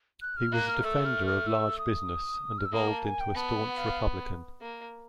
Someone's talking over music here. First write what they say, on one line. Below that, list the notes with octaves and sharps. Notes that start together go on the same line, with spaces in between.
He was a defender of large business and evolved into a staunch Republican.
F#6
F6
A#3 F#6
F6
A3 E6
F6
F6
E6
D#6
F6
E6
A#3 D#6
A5
G#5
G5
B3 A5
F#5
F5
A#3